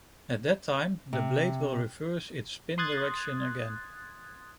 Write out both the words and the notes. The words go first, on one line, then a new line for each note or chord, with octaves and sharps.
At that time, the blade will reverse its spin direction again.
C3
C6 D#6 F#6 G#6 A6